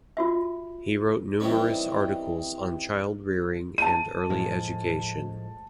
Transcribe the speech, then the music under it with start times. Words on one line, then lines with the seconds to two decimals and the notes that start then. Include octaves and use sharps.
He wrote numerous articles on child rearing and early education.
0.17 F4 F#4 E5
1.40 D#3 E3 G3 C4 C#4
3.78 A5 D#7
4.30 A2 F3 G#3